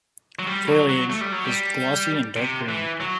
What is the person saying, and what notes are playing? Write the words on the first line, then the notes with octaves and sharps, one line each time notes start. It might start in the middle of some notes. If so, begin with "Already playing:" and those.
Foliage is glossy and dark green.
F#3
G3
F#3
F#3
A3
G3
F#3
G3
C3
E3
F#3